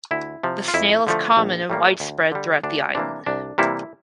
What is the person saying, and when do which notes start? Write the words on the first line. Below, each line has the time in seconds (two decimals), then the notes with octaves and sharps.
The snail is common and widespread throughout the island.
0.11 D2 E4
0.43 C3 F3
0.68 F4
0.74 F2 E4
1.07 D3 F3 A3
1.37 A#1
1.70 A2 G3 A#3
2.00 D2
2.32 D3 G3
2.63 D2 D4
2.95 C3 E3 A#3 D4
3.26 C2 D4
3.58 C3 E3 G3 A#3 E4